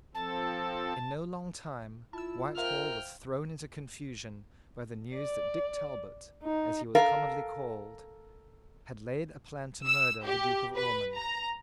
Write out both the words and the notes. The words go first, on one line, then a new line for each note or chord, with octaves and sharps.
In no long time Whitehall was thrown into confusion by the news that Dick Talbot, as he was commonly called, had laid a plan to murder the Duke of Ormond.
F3 C4 A4 A5
E4 F4 A5 E6
A#4 C5 E5 F5 G5 F6
D5
D#4
A4 A#4 F5
E6
G4
B4
A#5